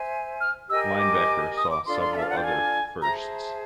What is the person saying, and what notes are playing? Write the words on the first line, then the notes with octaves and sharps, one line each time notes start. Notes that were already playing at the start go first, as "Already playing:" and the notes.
"Linebacker" saw several other "firsts".
Already playing: C5 E5 G#5
F6
G4 A#4 D#5 G#5 E6
D6
D#6
D6
D4 F4 A4 D5 C6
C6
E5
F5
F#5
G5
G#5
G#4 C5 E5 A5 A#5